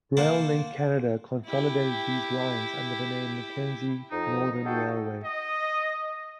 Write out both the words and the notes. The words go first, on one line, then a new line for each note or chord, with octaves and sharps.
RailLink Canada consolidated these lines under the name Mackenzie Northern Railway.
A#3 A#4 C5 F#5 A5
E4 G4
F2 D#4
D#4 F#4 G#4 A4 G5
D#5